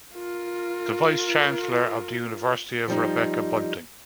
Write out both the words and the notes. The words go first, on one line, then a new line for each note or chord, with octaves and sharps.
The Vice-Chancellor of the University is Rebecca Bunting.
F4 A#4
F3 G3 D#4